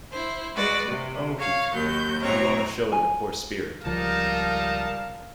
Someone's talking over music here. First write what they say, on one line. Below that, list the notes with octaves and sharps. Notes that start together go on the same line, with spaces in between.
Oh, Heathcliff, you are showing a poor spirit!
E4 C5
G#3 F#4 B4 D5
C3
C#5 F5
D#2 F#3 G6
A2 F#3 C4 C#5 A#5
G#5
C#2 F3 G3 D#4 A#4 F5 A5